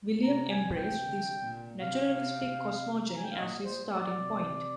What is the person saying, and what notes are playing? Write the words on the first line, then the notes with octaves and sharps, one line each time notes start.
William embraced this "naturalistic cosmogeny" as his starting point.
C3 A#5
G#5
G5
D3
A#2
C3 F5
A#5
G#5
G5
F5
A#2 D#5
C5
D5
C3